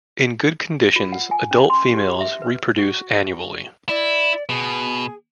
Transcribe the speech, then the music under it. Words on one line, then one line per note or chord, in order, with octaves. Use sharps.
In good conditions, adult females reproduce annually.
F4
F#5
G#5
C#4
C6
G4
E5
B4
F#4
E4 D5
B2 G#4